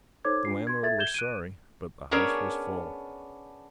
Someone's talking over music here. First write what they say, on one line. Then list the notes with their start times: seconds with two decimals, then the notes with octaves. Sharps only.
The landlord was sorry, but the house was full.
0.25 D#4 A4 C5 C#5 D6 G#6
0.45 D4 F4 C7
0.67 C6 G#6
0.83 A4 E5 G#6 A6
0.99 G6 G#6 E7 G7
1.14 F#6 D7 D#7
2.11 B3 C#4 D4 G#4 A#4 C#5